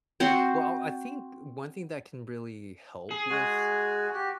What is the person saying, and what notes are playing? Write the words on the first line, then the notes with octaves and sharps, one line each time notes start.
well, I I think one thing that can really help with
C4 F#4 C6
G#4
G#3 F#4 G#5
F#4 G4